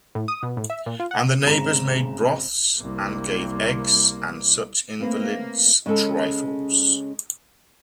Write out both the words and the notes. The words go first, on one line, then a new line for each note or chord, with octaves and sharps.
And the neighbours made broths, and gave eggs, and such invalids’ trifles.
A2
D#6
B2
A2
E5
A#2
F4
F#5
G#1 C#3 A#5 E7
C2 A#3
A3 A#3 C4 B4
C#3 G#3 C#4 A4